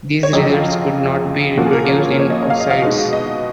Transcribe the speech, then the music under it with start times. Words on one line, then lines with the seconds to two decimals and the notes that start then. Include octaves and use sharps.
These results could not be reproduced in oocytes.
0.23 C#5
0.33 F2 C#3 F#3 D#5
0.43 D#5
0.54 F4
1.57 A#2 F3 A#3 C#4 F4 F#4
1.65 G#4
1.73 A#4
1.89 C#5
2.19 C#5
2.30 D#5
2.50 F5
2.60 D#5
2.71 F5
2.82 B2 G#3 D#4
3.13 D#5